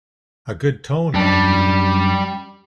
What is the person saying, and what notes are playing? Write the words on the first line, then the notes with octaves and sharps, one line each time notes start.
A good tone, mind you!
F#2 G3 D4